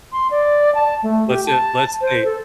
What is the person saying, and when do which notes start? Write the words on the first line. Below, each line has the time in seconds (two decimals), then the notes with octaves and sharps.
Lets in let's, hey
0.12 C6
0.31 D5
0.75 A5
1.03 A3
1.28 G4
1.47 A5
2.01 C5
2.25 A4